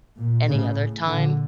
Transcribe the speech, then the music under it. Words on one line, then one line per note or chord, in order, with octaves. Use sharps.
any other time.
A#2
A2 C#3
A2
A#2 D3